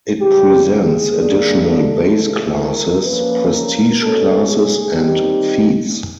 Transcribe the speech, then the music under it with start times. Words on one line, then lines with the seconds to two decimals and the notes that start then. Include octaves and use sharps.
It presents additional base classes, prestige classes, and feats.
0.21 C#3 E3 G3 G4
0.69 G#4
1.16 D#3 G3 A#3 D4
1.63 A4
2.12 C#3 E3 G#3
2.58 A#4
3.06 F3 A#3 C#4 B4
3.53 A#4
4.01 B2 G#3 C#4 A4
4.48 G#4
4.94 D#3 G3 C4 D#4 G4